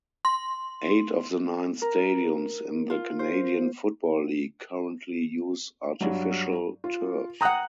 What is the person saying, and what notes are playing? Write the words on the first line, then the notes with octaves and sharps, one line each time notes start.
Eight of the nine stadiums in the Canadian Football League currently use artificial turf.
C6
A#4
F4
C5
G2 F#3
F4
F#5 G5 A#5 D#6 F#6